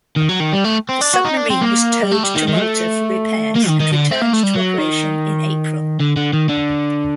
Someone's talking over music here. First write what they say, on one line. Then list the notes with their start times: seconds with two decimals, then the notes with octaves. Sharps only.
The submarine was towed to Malta for repairs and returned to operation in April.
0.16 D#3
0.29 F#3
0.40 D#3
0.53 G3
0.64 A3
0.89 C4
1.01 D4
1.14 F#4
1.25 D#4
1.37 D4
1.50 C4
1.61 A#3
2.03 G3
2.11 A3
2.23 G3
2.35 D#3
2.48 D#3
2.60 A3
3.56 A#3
3.68 D#3
3.81 D#3
3.93 D3
4.11 C4
4.22 A#3
4.33 A3
4.43 G3
4.55 F#3
4.78 D#3
6.00 D3
6.17 D3
6.33 D#3
6.49 D3